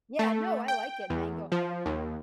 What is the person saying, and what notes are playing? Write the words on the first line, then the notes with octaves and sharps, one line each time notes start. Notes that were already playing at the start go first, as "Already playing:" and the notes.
Yeah, no, I like it, Mango Habanero.
A3
G5
E2
F3
D#2